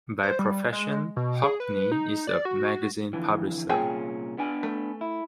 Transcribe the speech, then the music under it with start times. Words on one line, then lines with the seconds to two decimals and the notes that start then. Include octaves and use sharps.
By profession, Hockney is a magazine publisher.
0.23 C5
0.39 G3
0.72 G#3
1.17 B2
1.43 G#4
1.60 B4
1.92 D#4
2.27 D5
2.45 F#4
3.13 F2 D3 E3
3.70 C2 A#2 C#4 F4 G#4 G5
4.38 B3 D4 G#5
4.63 A3
5.01 E4